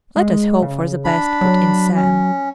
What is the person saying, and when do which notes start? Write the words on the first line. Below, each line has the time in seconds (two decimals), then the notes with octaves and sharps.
"Let us hope for the best," put in Sam.
0.16 G#3
0.62 C#3
1.04 D4 B5
1.41 F#3
1.96 C#4